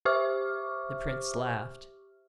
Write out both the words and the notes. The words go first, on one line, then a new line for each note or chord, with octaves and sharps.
The prince laughed.
G4 C5 E5 C#6 D6 F6